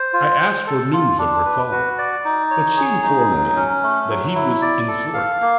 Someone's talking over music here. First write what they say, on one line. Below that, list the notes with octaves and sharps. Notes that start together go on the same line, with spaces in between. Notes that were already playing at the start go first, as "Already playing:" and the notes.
I asked for news of her father, but she informed me that he was in Zurich.
Already playing: C5
F4
C5
A4
F4
D4
B4
F#4
D5
D#4
C#5
G#4
D#4
F#3
C#4
A3
F#3
E4
D5
A4
F5
A#3